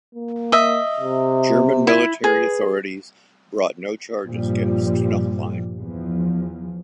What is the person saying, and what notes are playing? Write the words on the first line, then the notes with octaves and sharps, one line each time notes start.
German military authorities brought no charges against Knochlein.
A#3
D#5 E5
C3
E4
G#4 B4
G2 A#2 F3 G3
E2 F3